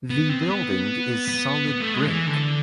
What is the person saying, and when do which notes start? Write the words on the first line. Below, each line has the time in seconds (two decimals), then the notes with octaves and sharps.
The building is solid brick.
0.10 B3
0.29 C4
0.50 B3
1.28 B3
1.68 B3
1.80 A3
1.94 G#3
2.07 E3
2.27 D3